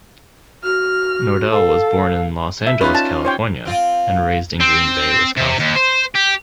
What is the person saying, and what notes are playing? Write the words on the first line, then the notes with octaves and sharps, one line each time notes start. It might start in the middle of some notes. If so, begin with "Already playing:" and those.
Nordell was born in Los Angeles, California and raised in Green Bay, Wisconsin.
F#4 F6
A4 F5
E5
C#4 D#4 F4 B4
A5
C5 C#5 G5
C4 F4
C4
C3
D#2
C5
G4